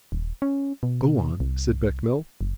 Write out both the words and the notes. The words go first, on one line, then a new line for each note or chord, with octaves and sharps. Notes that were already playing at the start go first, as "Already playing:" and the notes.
"Go on," said Bechamel.
D#1
C#4
B2
C2
F#1